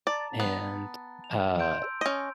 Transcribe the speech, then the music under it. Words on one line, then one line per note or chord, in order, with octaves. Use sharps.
and, uh
D5 A5 A#5 A6
B3
F7
C6 G6 D7
E6
C#4 D#5